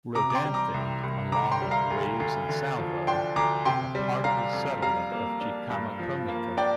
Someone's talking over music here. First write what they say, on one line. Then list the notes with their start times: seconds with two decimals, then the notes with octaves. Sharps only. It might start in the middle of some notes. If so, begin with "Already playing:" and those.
Rodanthe, along with Waves and Salvo, are part of the settlement of Chicamacomico.
0.15 C3 A#5 D6
0.30 D6
0.35 G5 C6
0.45 G3
0.54 A#5 D6
0.74 C2
1.03 C2
1.32 D3 A#5 D6
1.52 G5 C6
1.62 G3
1.71 F5 A#5
1.91 D2
2.20 D2
2.49 D3
2.78 F3
3.07 D4 G5 C6
3.36 D2 A#5 D6
3.65 C3 G5 C6
3.95 G3
4.24 D4 F5 A#5
4.53 F2
4.82 G3 F5 A#5
5.12 A#3
5.41 D4
5.70 G2
5.99 F3
6.28 A#3
6.57 D4 D5 G5